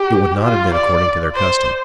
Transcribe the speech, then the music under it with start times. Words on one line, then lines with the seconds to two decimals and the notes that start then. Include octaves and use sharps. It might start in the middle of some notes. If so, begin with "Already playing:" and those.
It would not have been according to their custom.
Already playing: G4
0.44 F4
0.75 D5
1.36 C5